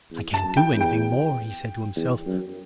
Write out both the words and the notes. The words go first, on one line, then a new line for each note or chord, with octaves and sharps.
"I can't do anything more," he said to himself.
E2
A5
F#2
G5
E2
G5
E2
F#2